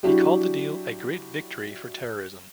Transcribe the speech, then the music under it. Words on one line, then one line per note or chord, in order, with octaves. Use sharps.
He called the deal a 'great victory for terrorism'.
F#3 D4 E4 F#4 G4